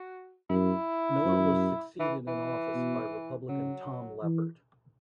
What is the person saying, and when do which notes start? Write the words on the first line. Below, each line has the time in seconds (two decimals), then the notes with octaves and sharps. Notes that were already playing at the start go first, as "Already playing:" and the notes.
Miller was succeeded in office by Republican Tom Leppert.
Already playing: F#4
0.50 F#2 E4
1.25 F#2
2.00 E3
2.27 E3
2.75 B2
3.49 C#3 F#3
4.23 E3